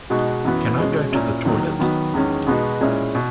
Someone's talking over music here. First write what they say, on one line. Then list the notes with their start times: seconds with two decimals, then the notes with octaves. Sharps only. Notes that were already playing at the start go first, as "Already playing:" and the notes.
Can I go to the toilet?
0.10 B2 G#3 D#4 F#4
0.44 F#2 E3 B3 F#4
0.78 B2 G#3 C#4
1.12 A#2 A#3 C#4 E4
1.45 E2 D#3 F#3 A#3
1.79 D#3 F#3 B3 F#4
2.14 E2 D#3 G#3 C#4
2.47 B2 G#3 B3 D#4 F#4
2.81 A#2 G#3 C#4 E4
3.15 B2